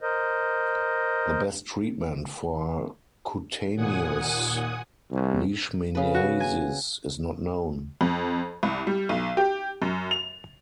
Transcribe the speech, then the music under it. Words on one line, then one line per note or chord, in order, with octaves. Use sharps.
The best treatment for cutaneous leishmaniasis is not known.
A#4 C5 D#5
D#2 A#2 F#5 G#5 D#6
C2
C#3 B4
F#4
G#5
F2
C2
G3
B1
G4
F#2
F7